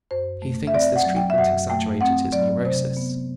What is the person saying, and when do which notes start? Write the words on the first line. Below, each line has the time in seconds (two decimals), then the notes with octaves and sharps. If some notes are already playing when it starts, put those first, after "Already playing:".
He thinks this treatment exaggerated his neurosis.
0.11 F#2 C5
0.42 A3
0.67 E5
0.74 C4 D5
0.96 F#5
1.05 F#3
1.16 G5
1.30 E5
1.37 F#2 F#5
1.70 A3 G5
2.01 C4 F#5
2.32 F#3 D5
2.65 C3 C5
2.97 B3